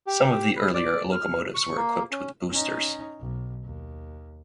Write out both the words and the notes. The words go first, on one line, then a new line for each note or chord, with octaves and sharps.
Some of the earlier locomotives were equipped with boosters.
G4
B4
D5
F6
C#6
A#3
C#4
C#4 D#4
B1
D#2